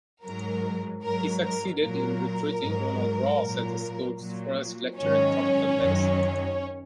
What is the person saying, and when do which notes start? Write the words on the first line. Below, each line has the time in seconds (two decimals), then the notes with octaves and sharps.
He succeeded in recruiting Ronald Ross as the school's first lecturer in Tropical Medicine.
0.23 G#2 F#3 A#4
1.02 G#2 F#3 A#4
1.42 A#4
1.81 A#2 F#3 A#4
2.61 G#2 F#3
3.40 A#2 F#3
4.18 A#2 F#3
4.97 G#2 D#3 F#3 C#4 C#5
5.77 F#2 D#3 F#3